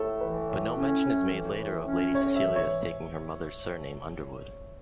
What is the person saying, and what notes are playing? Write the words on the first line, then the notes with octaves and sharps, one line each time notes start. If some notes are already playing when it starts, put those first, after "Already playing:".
But no mention is made later of Lady Cecilia's taking her mother's surname Underwood.
Already playing: A2 A4
E3 B4
A2
C#4
A2
E3
A2
C#4
A2 C#5
E5
E3
C#5